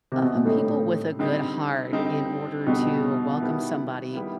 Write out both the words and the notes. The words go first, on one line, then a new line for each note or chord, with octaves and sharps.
uh, people with a good heart in order to welcome somebody,
C3
B2
A#2
A2 D3 G3 C4 D#4
D3 G3 C4 D#4
D3 G3 C4 D#4
B2 D3 G3 C4 D#4
D#3 G3 B3 E4
D#3 G3 B3 E4